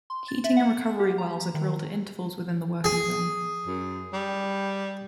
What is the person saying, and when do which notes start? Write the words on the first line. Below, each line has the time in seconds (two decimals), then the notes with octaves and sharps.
Heating and recovery wells are drilled at intervals within the working zone.
0.10 C6
0.28 A6
0.44 E5
0.57 F#5
0.99 G4
1.18 A#5
1.54 D#3
2.84 G#4
3.67 F#2
4.13 G3